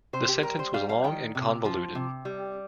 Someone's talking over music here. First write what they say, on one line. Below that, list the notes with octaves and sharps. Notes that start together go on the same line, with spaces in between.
The sentence was long and convoluted.
C3 C5
G4
G3 A#4
C5
G3 F5
F5
D#3 G5
C3
F3
C3
G3